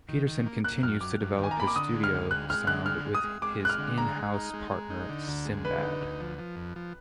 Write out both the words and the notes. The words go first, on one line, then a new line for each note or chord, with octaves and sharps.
Peterson continues to develop his studio sound with his in-house partner Simbad.
D#3
D#3
A#3
A#3 F#6
F#2 F6
F#2 D6
F#2
D#3 G#5
A#5
A#3 B5
D6
D3 D#6
G#3
F6
D2
G#3 F#6
G#3 F6
D3 F#6
G#3 F6
G#3
D#6
G#3
G#3 D6
G#3 F#6
F6
D3
G#3 A#5
G#3
D#4
G#3
G#3
D#4
D3
D2
G#3
D3 B4
D#4
D2
F3
F3
F2
F3